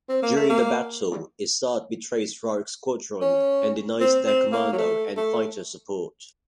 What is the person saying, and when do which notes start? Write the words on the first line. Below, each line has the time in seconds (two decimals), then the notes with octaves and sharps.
During the battle, Isard betrays Rogue Squadron and denies their commando and fighter support.
0.09 C4
0.22 A#3
0.36 A3
0.49 A#3
3.21 C#4
4.00 C4
4.27 C4
4.52 A#3
4.73 F#3
4.78 A3
5.17 A3